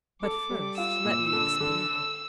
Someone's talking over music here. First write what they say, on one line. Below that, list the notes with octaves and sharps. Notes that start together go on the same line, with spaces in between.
But first, let me explain.
A4 D6
G3
F4 E6
A#2
D3
D3